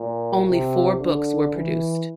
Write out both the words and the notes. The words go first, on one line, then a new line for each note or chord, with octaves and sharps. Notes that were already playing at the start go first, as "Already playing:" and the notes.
Only four books were produced.
Already playing: A#2
C3
D3
E3